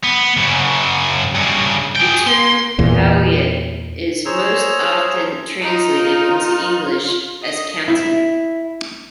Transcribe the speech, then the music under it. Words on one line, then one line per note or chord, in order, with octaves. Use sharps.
The term "powiat" is most often translated into English as "county".
B3
F#2 C#3
G2 C#3
G#4 G5
C6
E2 A#2
G#4 C5 C#5 A#5 E6
D#4 F4
D#5
E4